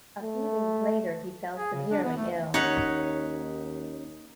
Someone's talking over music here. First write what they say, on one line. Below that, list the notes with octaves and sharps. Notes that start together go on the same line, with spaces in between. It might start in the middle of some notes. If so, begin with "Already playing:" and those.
A few days later he fell severely ill.
A3
G#4
C#3
D4
B3
A3
D#2 C#4 D#4 C#5 F#5 B6